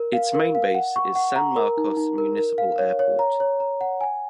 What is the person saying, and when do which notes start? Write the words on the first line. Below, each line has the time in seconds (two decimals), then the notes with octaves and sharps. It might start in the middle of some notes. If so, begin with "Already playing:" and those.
Its main base is San Marcos Municipal Airport.
Already playing: A#4
0.13 F5
0.35 A#4
0.55 F5
0.75 F#5
0.96 C#6
1.15 F#5
1.36 A#5
1.56 A#4
1.77 D#4
1.97 D#4
2.18 A#4
2.38 A#4
2.58 F5
2.79 C#5
2.99 C#5
3.19 A#5
3.40 C#5
3.60 A#5
3.81 F#5
4.01 G#5